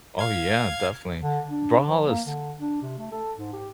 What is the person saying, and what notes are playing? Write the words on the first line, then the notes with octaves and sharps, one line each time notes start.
Oh yeah, definitely. Brawlhalla is
F5 G#6
D3
D4
F3
A#3
D3
D4
C3
A3
A4
G#2
G4